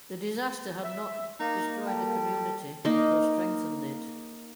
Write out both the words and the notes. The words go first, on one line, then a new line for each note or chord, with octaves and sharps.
The disaster had not destroyed the community but strengthened it.
E5
A#3 D#4
G3 A4
A#3 D#4